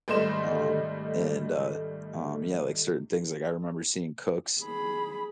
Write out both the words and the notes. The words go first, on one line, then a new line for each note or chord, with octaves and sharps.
um, and, uh um, yeah, like certain things, like, I remember seeing cooks,
G#1 G3 A3 D#5 C6 E7
G#4 B5